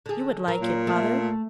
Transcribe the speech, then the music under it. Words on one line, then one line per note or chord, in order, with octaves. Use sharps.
You would like it, mother?'
D3 G#4
F#3 A#4
A#2
A3